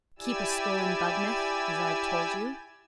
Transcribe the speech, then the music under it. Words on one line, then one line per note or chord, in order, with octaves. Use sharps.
"Keep a school in Budmouth, as I have told you."
E4 G4 D5 G#5 E6